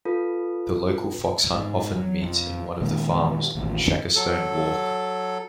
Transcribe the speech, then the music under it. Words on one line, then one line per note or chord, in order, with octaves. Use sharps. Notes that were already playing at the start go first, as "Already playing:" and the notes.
The local fox hunt often meets in one of the farms on Shackerstone Walk.
F4 A4 B4
G#2
F#3
F2
A#2 D#3 G#3 A#3
A1 D#2 A2
F#3 A4